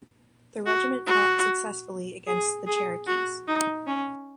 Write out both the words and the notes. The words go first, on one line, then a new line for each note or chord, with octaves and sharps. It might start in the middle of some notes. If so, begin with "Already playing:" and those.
The regiment fought successfully against the Cherokees.
F#4
F#4
G#4
G#4
F#4
D#4
C#4